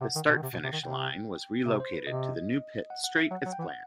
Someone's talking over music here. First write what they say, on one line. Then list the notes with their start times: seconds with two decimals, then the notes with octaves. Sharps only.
The start-finish line was relocated to the new pit straight as planned.
0.01 C3 F#5
0.15 D#3
0.29 B2
0.37 D#3
0.43 C3
0.53 B2
0.64 C3
0.73 D#3
0.84 C3 G5
1.66 C3 E5
1.80 C5
1.93 B4
2.07 C3 D#5
2.90 F#5
3.04 F#5
3.18 E5
3.31 F#3 F#5
3.42 F#3 F#5
3.52 G5
3.59 E3
3.62 F#5